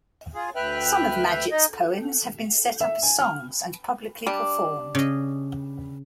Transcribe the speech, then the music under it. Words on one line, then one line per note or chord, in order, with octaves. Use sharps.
Some of Madgett's poems have been set up as songs and publicly performed.
F4 G#4
D2 B4 E5 G5 F6 F#6
D#4 D#5
E5
G#5
F6
G3 D4
C#3 D#5